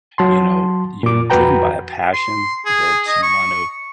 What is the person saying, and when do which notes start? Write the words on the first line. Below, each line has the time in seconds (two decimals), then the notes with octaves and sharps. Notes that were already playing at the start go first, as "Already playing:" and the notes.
you know, you're driven by a passion that you want to
0.18 F#3 A5 C6
1.03 A#2 D6
1.30 F2 F#4 B4 G5 A#5
2.14 C6
2.65 G#4
3.07 D#5
3.23 C#6